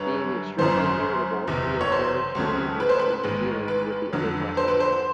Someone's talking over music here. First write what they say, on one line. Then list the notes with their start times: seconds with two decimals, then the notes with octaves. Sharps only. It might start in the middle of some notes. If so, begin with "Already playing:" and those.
Being extremely irritable, he is very cantankerous in his dealings with the other passengers.
Already playing: F#2 D3 G3 B4 C#5
0.58 G#1 F#2 C#3 F#3 C5
1.48 F#1 E2 C3
1.81 C#5
1.92 C5
2.35 C#2 C#3 F#3 A3
2.80 B4
2.89 C5
2.99 B4
3.23 A1 G#2 D#3 G#3
3.68 B4
4.13 F2 D3 F#3
4.57 C5
4.68 B4
4.80 C5